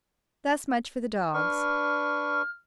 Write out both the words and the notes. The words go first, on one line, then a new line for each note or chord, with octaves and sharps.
Thus much for the dogs.
D4 B4 C#6 F6